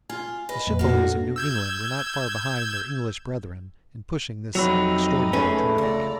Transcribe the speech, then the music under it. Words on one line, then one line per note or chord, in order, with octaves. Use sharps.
The ship owners of New England were not far behind their English brethren in pushing this extraordinary traffic.
F4 G#5
B4 D#5
F2 A#2
A#3 F#4
D4 A4 A#6
E6 G6 G#6
F2 C3 F#3 D#4 B5 E6 F7
A3 C#4 G#4 B4
C#2 D5 A#5